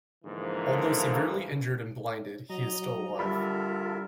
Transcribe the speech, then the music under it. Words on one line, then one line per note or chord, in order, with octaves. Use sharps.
Although severely injured and blinded, he is still alive.
G#2 D3 E3 F3 A#3
F#3 D#5 A#5
D3 G3 F4 A4 A#4 E5 B5